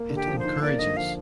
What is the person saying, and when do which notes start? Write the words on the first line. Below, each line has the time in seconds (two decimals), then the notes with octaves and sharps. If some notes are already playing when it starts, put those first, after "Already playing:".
It encourages.
Already playing: A#3
0.10 D3
0.15 G4
0.28 F3
0.39 C5
0.44 D#4
0.62 A#3 D5
0.79 D3 D#5
0.97 F3 F5